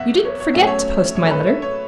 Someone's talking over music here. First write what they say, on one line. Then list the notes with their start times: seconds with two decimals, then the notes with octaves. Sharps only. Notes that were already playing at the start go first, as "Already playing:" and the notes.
"You didn't forget to post my letter?"
Already playing: E2 B2 F#3 E5 F#5
0.25 C#5
0.40 C#5
0.54 B2 F#3 A3 C#4 E5
0.67 C#5
1.16 C#5
1.26 A4
1.31 B4
1.47 E5
1.62 C#5